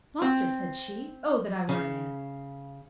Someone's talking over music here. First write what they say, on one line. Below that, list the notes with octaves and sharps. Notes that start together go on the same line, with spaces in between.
"Monster!" said she; "oh! that I were a man!"
C4
C#3